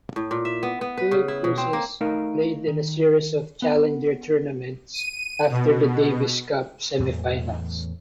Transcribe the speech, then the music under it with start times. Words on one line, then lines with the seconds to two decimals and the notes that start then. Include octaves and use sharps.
Philippoussis played in a series of Challenger tournaments after the Davis Cup semifinals.
0.16 A2
0.31 A#2
0.45 E5
0.63 B3
0.81 B3
0.97 B4
1.11 C#3
1.28 E4
1.44 B2
1.58 C4
1.73 A#3
2.01 A3 D#4 A#4 F5
2.68 D#3
3.62 B3
4.93 D#7
5.50 B2
6.99 E2 A2 E3 F#3